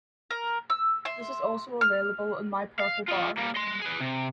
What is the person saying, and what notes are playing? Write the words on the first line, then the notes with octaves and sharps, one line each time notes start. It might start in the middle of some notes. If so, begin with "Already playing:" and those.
This is also available in My Purple Bar.
A#4
E6
E5 C6
F6
F5
F4 D#5
G3 A#3
D#5 C6
G#4 B4
C3